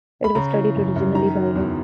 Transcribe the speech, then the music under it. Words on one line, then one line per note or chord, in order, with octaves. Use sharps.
It was studied originally by him.
B5
C#3 A#5
E3
F#2
F#2
D#3 A#5
F#3
E2